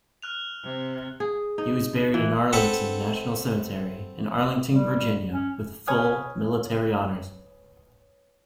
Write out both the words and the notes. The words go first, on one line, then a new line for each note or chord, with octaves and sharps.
He was buried in Arlington National Cemetery in Arlington, Virginia, with full military honors.
F6 F#6 F7
C3
G#4
D#4
E3
C4 A4 B4 F#5
G3
C#4
B4 C#5 G#5 D#6 F6